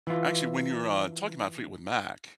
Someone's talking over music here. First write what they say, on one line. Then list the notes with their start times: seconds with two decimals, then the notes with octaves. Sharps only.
Actually, when you were, uh, talking about Fleetwood Mac,
0.07 E3 F4